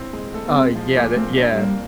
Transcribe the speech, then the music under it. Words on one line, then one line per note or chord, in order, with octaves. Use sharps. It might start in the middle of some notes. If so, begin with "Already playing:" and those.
U uh, yeah that yeah,
Already playing: C4 E4
G#3
A3 A4
A#3
B3
G#3 C4
F3
A#2 A#3
A3 C4
F#3
G3 D4
A#3